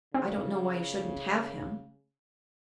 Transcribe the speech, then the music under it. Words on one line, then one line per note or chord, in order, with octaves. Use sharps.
I don't know why you shouldn't have him.
C#3 C4